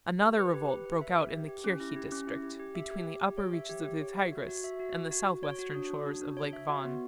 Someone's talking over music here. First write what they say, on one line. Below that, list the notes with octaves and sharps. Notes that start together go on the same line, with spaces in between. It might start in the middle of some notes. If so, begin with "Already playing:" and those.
Another revolt broke out in the Kirkhi district between the upper reaches of the Tigris and the southwestern shores of Lake Van.
G4
B4
G4
B4
B4
E5
G4
G4
G4
C#4
E4
G4
C#4
E4
G4
G4
E5
G4
G4
G4
C#5
E5
G4
G4
C#5
E5
F#4
F#4
E5
F#4
F#4
F#4
F#4
C#5
F#4
D4
D4
F#4
D4
C#5
E5
F#4
B3